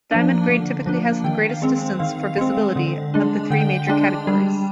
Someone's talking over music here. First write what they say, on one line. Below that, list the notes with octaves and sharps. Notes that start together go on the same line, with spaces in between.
Diamond grade typically has the greatest distance for visibility of the three major categories.
F3 A#3 D4
D3
F3 A#3 D4
D#3 G5
F5
G#3 C4
D#3 F5
G#3 C4
D3
G#3 D4
D3 G5
G#3 D4
G3